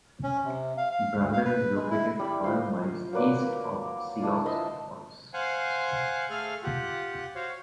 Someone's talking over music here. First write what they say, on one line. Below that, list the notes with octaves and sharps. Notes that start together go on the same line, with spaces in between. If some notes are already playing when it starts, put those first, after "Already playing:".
Brandon is located five miles east of Sioux Falls.
C#4
C3
F5
F5
D2
F5
B4
G#3
E4
G3 E4 D5 B5
D#4 F4 C5
F#3 A#3 B4 D5
A#3
D4 E4 F4
C5 D#5 E5 A5
C5 F5 F#5 G#5
A3 G#4 A4 F5 G#5 F6
F4 G4 F#5
F#4 C5 C#5 F5